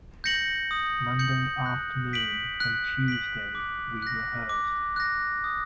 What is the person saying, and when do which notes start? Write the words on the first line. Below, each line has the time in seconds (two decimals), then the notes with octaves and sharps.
Monday afternoon and Tuesday we rehearsed.
0.24 G6 A#6 C#7 F#7
0.71 D#6
1.19 G6 A#6 C#7 F#7
1.66 F#6
2.13 B6 D7 F#7
2.60 F#6
3.08 B6 D7 F#7
3.55 D6
4.02 F#6 A#6
4.49 D6
4.96 F#6 A#6
5.44 D#6